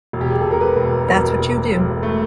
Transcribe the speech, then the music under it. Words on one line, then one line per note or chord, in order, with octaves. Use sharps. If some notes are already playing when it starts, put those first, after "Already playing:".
That's what you do.
E1
G4
G#4
E1 A4
A#4
B4
E1
E1 A#4
E1
E1
A3